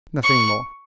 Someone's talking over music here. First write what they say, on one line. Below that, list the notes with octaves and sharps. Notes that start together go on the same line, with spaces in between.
"Nothing more."
C#6